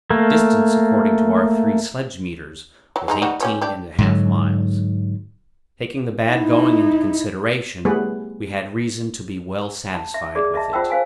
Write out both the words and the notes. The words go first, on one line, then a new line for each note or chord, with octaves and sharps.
The distance according to our three sledge-meters was eighteen and a half miles; taking the bad going into consideration, we had reason to be well satisfied with it.
A3 A#3
F#3
G#3 D#4 A#5
G3 D#4 F#4
F3 C#4 G4
D4 G4
G#2 D3 F#3
D#4 E4
G3 A3 B3 G#4 B4
A5
E5
G#4 D5
D#5 E5 A5
F4 C5 F#5 G5 A5 E6
C5 F5 G#5